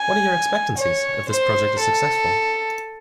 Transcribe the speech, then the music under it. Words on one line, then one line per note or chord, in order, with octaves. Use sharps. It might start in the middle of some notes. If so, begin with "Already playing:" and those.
What are your expectancies if this project is successful?
Already playing: G#5
C#5
C5
A4